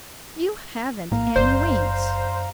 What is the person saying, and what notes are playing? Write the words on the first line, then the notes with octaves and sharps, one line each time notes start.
"You haven't any wings."
A#1 A2 A#3 F5 A#5
F#1 F#2 C5 D5 G6